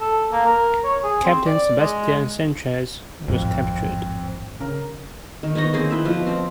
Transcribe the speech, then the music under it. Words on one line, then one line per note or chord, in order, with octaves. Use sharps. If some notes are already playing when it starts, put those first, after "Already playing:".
Captain Sebastian Sanchez was captured.
A4
A#3
A#4
C#5
G#4
C4
D5
G#3
A1 F2 G#2 D#3 C4
C#3 A#4
D#3
B3 D#4 C#5 D#5
A#3 C4 G#4
E4 B4 G5
B2 F3
C4